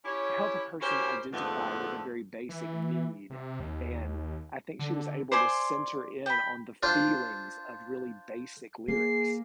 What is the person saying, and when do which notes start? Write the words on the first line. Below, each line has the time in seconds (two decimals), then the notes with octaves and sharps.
help a person identify with a very basic need, and I think she was able to center in on the feelings of really basic lyrics.
0.05 C#4 E4 G4 C#5
0.81 C#4 E4 F#4 G4 A#4 C5
1.32 F2 G#2 D3 F3 A3 B3
2.49 E3
3.30 C3
3.60 D#2
4.79 D3
5.32 C5 D5 G#5 C6
6.26 G5 B5
6.83 D4 F4 C5
8.88 A#3 G#4 C7